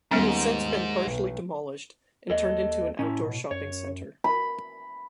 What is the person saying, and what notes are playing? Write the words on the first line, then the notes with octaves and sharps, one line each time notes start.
It has since been partially demolished and turned into an outdoor shopping center.
D#2 G#2 G3 B3 C#4
B1
D#2 A4 D#5
A2 C#4 E4
B2
F#2 C#5
B5